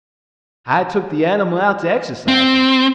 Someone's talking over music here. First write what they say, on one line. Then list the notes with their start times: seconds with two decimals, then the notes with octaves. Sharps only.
I took the animal out to exercise him.
2.28 C4